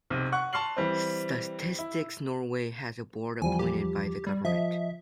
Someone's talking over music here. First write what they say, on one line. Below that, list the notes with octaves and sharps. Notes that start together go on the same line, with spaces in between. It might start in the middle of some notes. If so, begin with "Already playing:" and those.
Statistics Norway has a board appointed by the government.
B1 C3
F#5 C#6 F#6
A5 C6 C#6 F6 C7 F#7
E3 G3 C4
E4
E2 F3 G3 G#5
G4
G3
F3 D#5 E5